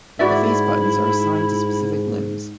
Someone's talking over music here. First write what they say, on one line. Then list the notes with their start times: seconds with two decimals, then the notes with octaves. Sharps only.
The face buttons are assigned to specific limbs.
0.19 G#2 E4 F#4 D5 E5